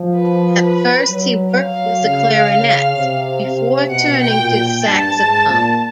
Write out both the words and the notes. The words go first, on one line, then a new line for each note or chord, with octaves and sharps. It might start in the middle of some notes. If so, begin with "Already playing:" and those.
At first he worked with the clarinet, before turning to the saxophone.
Already playing: F3
B4
B4
F#3
F#3 F5
C#3
C#3
C3
C3
B2 F#5
G5
A#2
G5
G2 A5
G#2
A#2